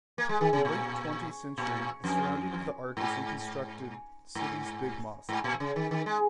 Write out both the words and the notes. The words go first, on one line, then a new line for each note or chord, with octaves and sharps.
In late twenty century the surrounding of the Ark is reconstructed city's big mosque.
A#3
G#3
D#3
C#3
A#2
A#2
F2
G#2
G#2
G#2
A#2
C#3
D#3
D#3
G#3